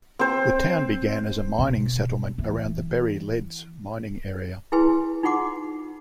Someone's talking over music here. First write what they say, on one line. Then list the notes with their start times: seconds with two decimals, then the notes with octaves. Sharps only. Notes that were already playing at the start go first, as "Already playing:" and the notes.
The town began as a mining settlement around the Berry Leads mining area.
0.19 C4 C5
1.59 B2
2.38 E3
4.72 E4 G#4 B4 G#5 C6
5.23 D#4 F4 G#4 F#5 C6 D6